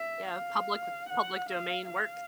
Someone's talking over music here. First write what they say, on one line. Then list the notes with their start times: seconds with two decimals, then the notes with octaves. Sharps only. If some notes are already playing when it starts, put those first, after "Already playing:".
Yeah, public with public domain works.
Already playing: E5
0.30 F5
1.10 F#5
1.50 F5
1.90 F5